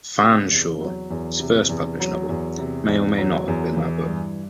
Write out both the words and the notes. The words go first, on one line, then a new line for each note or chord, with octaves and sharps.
"Fanshawe", his first published novel, may or may not have been that book.
C3
E2
F#3
E2
C3
E2
F#3
E2
C3
E2
F#3
E2
E3
G2